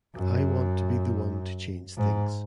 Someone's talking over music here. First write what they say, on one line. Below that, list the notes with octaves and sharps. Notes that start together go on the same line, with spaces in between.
I want to be the one to change things.
F#2
G#2